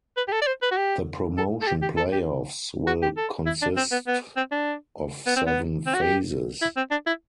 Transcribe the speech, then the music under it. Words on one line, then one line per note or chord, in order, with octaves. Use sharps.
The Promotion Play–offs will consist of seven phases.
B4
G4
A4
D5
C5
B4
F#4
G4
A4
A4
G4
G4
A4
G4
F#4
G4
A4
E4
D4
C4
B3
B3
C4
D4
B3
C4
B3
C4
F#4
G4
E4
C4
D4
E4